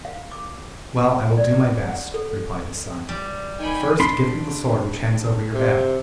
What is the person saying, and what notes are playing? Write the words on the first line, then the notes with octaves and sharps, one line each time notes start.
'Well, I will do my best,' replied his son; 'but first give me the sword which hangs over your bed!'
F5
D6
D5
F#5
A4
G3
D#3 G5 G#5 B5
D4 B5 C6
C3